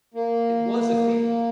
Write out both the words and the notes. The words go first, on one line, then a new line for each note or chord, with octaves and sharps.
It was a feat.
A#3